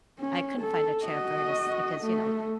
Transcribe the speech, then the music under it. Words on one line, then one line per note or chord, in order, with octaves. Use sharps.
I couldn't find a chair for her to si because, you know,
C#4
A4
F#4 D#5
A3